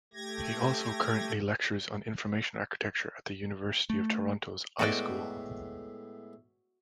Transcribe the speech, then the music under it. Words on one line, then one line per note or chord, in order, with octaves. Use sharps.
He also currently lectures on Information Architecture at the University of Toronto's iSchool.
A3 G4 G#6 A#6
A3
A2 G#3 B3 F#4 D5 G5